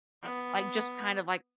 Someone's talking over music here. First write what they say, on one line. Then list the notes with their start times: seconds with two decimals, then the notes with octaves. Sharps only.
Like, just kind of, like
0.22 B3